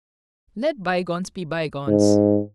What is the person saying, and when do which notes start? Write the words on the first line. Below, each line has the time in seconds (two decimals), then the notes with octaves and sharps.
Let Bygones Be Bygones.
1.87 G#2